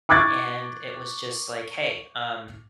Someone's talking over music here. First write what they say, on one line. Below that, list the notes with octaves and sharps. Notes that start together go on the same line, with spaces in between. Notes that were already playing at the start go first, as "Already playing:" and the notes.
and it was just like, "Hey, um"
C#6 D6 F#6 G#6 A6